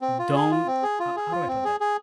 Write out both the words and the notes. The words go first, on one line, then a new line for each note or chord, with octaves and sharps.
don't" how how do I put that?
C4
F4
G#4
F4
C4
G#4
F4
G#4
F4
C4
G#4
G#4